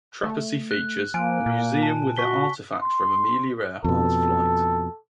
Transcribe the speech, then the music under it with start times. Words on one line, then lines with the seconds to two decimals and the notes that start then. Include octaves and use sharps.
Trepassey features a museum with artifacts from Amelia Earhart's flight.
0.24 A3
0.71 F#6
1.14 F3 A#3 G#5 D7
1.46 A#2
1.82 A5
2.17 F#4 C#6 B6 G7
2.82 C6
3.84 F2 B2 A4